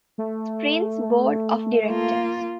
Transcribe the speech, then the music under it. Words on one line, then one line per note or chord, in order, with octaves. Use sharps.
Sprints Board of Directors.
A3
A#3 F4